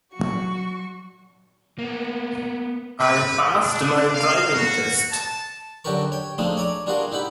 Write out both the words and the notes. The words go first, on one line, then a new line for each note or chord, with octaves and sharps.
I passed my driving test!.
F#3 F#4 C#6
A#3 B3
B4
D4
F5
F#4
A5
F#2 D3 F#4 G4 A#4 C#6
C#5 G5
F3 G#3 A3 C4 D4 D#4
C#5 D5 G#5 A#5 D6
G3 D4 F4 F#4 G#4 A#4
D#4 E4 G4 F#5 B5